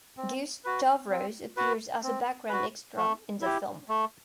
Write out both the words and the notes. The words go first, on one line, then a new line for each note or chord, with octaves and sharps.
Gus Stavros appears as a background extra in the film.
C4
F#4 B4
C4
F#4 B4
C4
F#4 B4
A3
E4 G4
A3